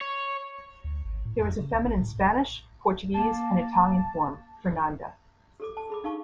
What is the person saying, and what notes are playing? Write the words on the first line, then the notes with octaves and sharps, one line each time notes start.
There is a feminine Spanish, Portuguese and Italian form, "Fernanda".
C#5
D2
G#1
A2
F2
C#3
C2
A1
A2
A#3 A5
G4 A4 D6
A5
G#4 B5 D6
D#4 G4 F5 A5 C#6